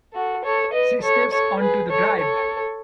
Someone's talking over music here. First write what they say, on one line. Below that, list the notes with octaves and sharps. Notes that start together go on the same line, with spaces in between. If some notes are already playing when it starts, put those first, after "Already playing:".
She steps on to the drive.
F#4 A4
A4 C#5
B4 D#5
A4 C#5
A4 C#5
G#4 B4
A4 C#5
A4 C#5